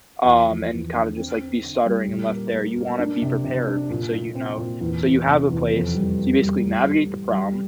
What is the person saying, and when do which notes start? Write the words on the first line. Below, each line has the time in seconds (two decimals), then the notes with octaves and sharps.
um, and kinda just, like, be stuttering and left there, you wanna be prepared be so, you know so you have a place, so you basically navigate the problem
0.24 E2
0.47 F3
0.71 E2
0.92 D3
1.16 C4
1.38 C4
1.62 D3
1.85 G3
2.07 A#2
2.30 A#3
2.52 A#2
2.76 A#3
2.99 D4
3.22 C3
3.44 C3
3.67 D4
3.90 A#2
4.12 A#2
4.35 C4
4.57 A#2
4.81 E2
5.03 E2
5.26 C3
5.50 E2
5.73 F2
5.95 G3
6.18 A#3
6.40 G3
6.63 A2
6.86 G3
7.09 A2
7.31 G3